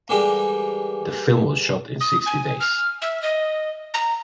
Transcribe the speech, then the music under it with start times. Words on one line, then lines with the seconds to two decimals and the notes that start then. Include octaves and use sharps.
The film was shot in sixty days.
0.09 D3 E3 G3 G#3 A#3 G4
2.01 D#6
2.26 G#5
2.60 F6
3.02 E5
3.22 D#5
3.94 A#5